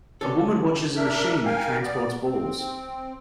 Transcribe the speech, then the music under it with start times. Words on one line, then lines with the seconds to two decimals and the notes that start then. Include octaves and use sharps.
A woman watches a machine that transports balls.
0.21 D3 C#4 A4
0.96 D4 A#4 E5
1.45 A#4 F5 G5 G#5
1.81 B3 D5
2.23 C4